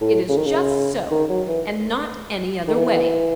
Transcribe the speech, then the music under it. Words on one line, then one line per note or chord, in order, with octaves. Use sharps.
It is just so, and not any other way.
A2
C#3
D#3
C#3
D#3
F#3
E3
D#3
E3